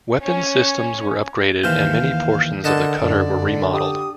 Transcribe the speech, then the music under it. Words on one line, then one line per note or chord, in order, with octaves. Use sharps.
Weapons systems were upgraded and many portions of the cutter were remodeled.
C#4
D#2 E3 C5 F5 F6 G6
D3 A#4 D#5 F#5 A5
F#2 D3 D5
G4 D#6